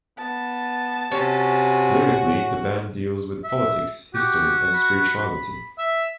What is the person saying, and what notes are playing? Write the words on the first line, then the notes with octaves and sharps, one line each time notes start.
Lyrically, the band deals with politics, history and spirituality.
B3 A5
C3 C#4 F#4
E5
F#4 G4
B5
E5